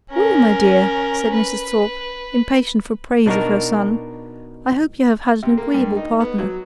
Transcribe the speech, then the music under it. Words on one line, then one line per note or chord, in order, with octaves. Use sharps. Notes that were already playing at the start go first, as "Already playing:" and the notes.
"Well, my dear," said Mrs. Thorpe, impatient for praise of her son, "I hope you have had an agreeable partner."
C#4 A#4
B4
B2 D4 D#4 F#4 A#4
C3
A#3
G2
D#4
B3
F#3